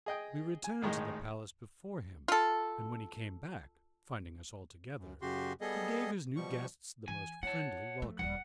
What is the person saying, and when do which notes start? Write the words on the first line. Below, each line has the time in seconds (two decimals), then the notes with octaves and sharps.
We returned to the palace before him, and when he came back, finding us all together, he gave his new guests the most friendly welcome.
0.06 G#4 D#5 G5
0.64 G#5
0.82 A1 A2 D#3 G#3 G#4 D#5
2.28 F4 A4
4.98 F#2
5.22 F#2 C#3 F#4 G4 C6
5.61 G3 B3 G#4 A4 D#5
6.36 B2 F3 G3 C#6
7.08 E3 G#5
7.43 E4 C#5 F#5 A5
8.02 F3 A3
8.19 D#1 D#2 G3 F#5